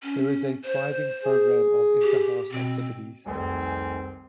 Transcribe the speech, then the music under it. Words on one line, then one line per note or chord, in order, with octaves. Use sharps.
There is a thriving programme of inter-House activities.
C#4
C5
G#4
G4
B2 C4
F1 C2 G#2 D#3 C4 G#5